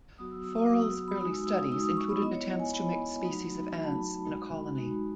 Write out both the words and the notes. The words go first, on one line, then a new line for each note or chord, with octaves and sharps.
Forel's early studies included attempts to mix species of ants in a colony.
F#3 B3 F#4 D#6
E6
E6
D#6
F#3 B3 F#4 D#6
E6
D#6
B5
G#3 D#4 F#4 D#6
E6
E6
D#6
G#3 D#4 F#4 E6
D#6
C#6
B5
B3 E4 D#5
C#5
G#5
B3 E4 B5
F#3 A3 D#4 F#4
F#3 A3 D#4 F#4 B5
A5
B5
G#3 D#4 F#4
G#3 D#4 F#4